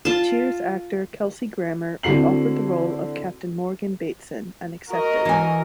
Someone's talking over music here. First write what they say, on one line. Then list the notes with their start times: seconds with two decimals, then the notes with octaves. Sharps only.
"Cheers" actor Kelsey Grammer was offered the role of Captain Morgan Bateson and accepted.
0.05 F4 A5
2.03 D3 C4 E4 F#4 C7 F#7
4.88 F#4 A#4 D#5
5.25 E3 G#5